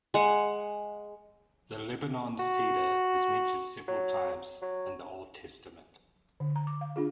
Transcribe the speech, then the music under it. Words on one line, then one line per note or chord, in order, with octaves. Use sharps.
The Lebanon Cedar is mentioned several times in the Old Testament.
G#3 F#5
F#4
F#3
F#3
D3
A#5
D6
F5
D4 F4 G#4